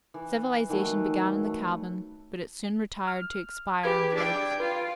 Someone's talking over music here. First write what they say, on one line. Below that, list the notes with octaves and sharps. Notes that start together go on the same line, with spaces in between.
Civilization began in the cabin, but it soon retired to expire in the woods.
E3
D#3 E3 F#3 A3
A3
F6
G4 G#4 B4 G#6
D4 G5
F4 B4